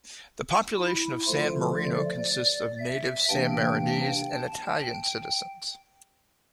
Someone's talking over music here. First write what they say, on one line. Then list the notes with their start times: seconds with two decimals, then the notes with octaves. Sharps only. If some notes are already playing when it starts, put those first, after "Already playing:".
The population of San Marino consists of native Sanmarinese and Italian citizens.
0.76 E4
1.27 D3 F3 A3 F4
1.78 D5
2.28 D5
2.79 E5
3.29 C3 E3 A#3 D4 G5
4.31 A5
4.82 G5